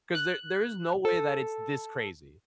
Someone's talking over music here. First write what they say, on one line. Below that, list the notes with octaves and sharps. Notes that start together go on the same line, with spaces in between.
'cause there there is no way that it's this crazy."
F#6
A4